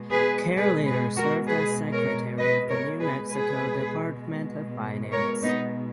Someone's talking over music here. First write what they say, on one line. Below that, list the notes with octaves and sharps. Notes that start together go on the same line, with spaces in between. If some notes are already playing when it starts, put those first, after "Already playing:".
Kerr later served as secretary of the New Mexico Department of Finance.
Already playing: B2 G#3
G#4 B4
G#4 B4
G#4 B4
F#4 A#4
G#4 B4
A#4 C#5
B4 D#5
A#4 C#5
G#4 B4
B2 G#3 G#4 B4
A#4 C#5
B3 D#4